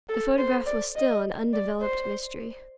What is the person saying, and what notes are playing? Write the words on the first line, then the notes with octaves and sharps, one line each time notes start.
The photograph was still an undeveloped mystery.
A4
C5
D5
D#5
D5
C5